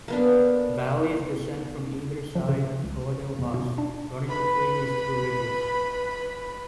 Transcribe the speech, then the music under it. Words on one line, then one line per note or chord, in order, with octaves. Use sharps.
Valleys descend from either side of Coledale Hause, running between these two ridges.
A#3 B3 D4
F3
C#3
C#2
E2
B2
D4
B4 B5